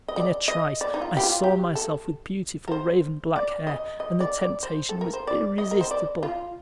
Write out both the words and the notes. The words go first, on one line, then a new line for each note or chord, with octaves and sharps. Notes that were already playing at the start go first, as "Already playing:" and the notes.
In a trice I saw myself with beautiful raven-black hair and the temptation was irresistible.
D#5
D5
D#5
D5
D#4
F4
G4
F4
G4
A4
A#4
C5
D5
D#5
D#5
D5
D5
C5
A4
A#4
C5
D5
D#5
A#4
C5
D5
F4